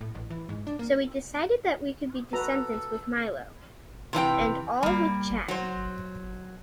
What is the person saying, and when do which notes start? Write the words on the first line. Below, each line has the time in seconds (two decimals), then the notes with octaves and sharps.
So, we decided that we could be Descendents with Milo, and All with Chad.
0.01 A2
0.15 A1
0.30 E3
0.49 G#2
0.67 D4
0.79 A#3
2.33 F#4 A4 B4 A#5
4.13 C3 E3 D4 G5
4.83 G3 A#3
5.48 F#3 C5